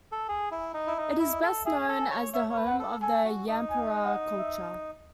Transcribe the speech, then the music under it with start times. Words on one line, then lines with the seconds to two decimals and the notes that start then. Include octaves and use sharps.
It is best known as the home of the Yampara culture.
0.12 A4
0.29 G#4
0.51 E4
0.74 D#4
0.87 E4
0.97 D#4 E5
1.19 E4
1.31 D#5
1.43 A4
1.65 G#4 E5
1.89 A4
1.99 G#5
2.11 C#5
2.34 C#5 E5
2.50 C#5
2.57 B4
2.67 F#5
2.79 A4
3.02 A4 G#5
3.25 F#4
3.47 D#4
3.70 G#5
4.04 F#5
4.39 E5